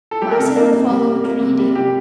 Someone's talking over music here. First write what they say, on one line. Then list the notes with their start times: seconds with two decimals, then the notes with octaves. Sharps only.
Marcella followed, reading.
0.11 A4
0.22 G3 G4
0.31 A#4
0.39 C3 A4
0.56 A#3 A#4
0.73 C3
0.90 G3
1.07 C3
1.25 A#3
1.41 C3
1.58 G3
1.75 C3 G4